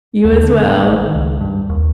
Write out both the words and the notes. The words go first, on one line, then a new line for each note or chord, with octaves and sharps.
You as well.
D#2
D3
A1
D#3
C#2
G2
D#2